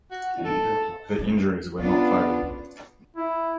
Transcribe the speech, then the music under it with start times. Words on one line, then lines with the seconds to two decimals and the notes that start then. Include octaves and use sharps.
The injuries were not fatal.
0.11 F#4
0.45 A4
1.78 B3 C#4 D4 F4
3.16 E4